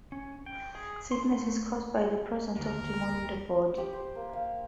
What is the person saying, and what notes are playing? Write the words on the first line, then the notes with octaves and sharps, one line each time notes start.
Sickness is caused by the presence of a demon in the body.
C#4
G5
G#4
C6
A3
D#2 D3 A#4
G4
C5
A#3
F5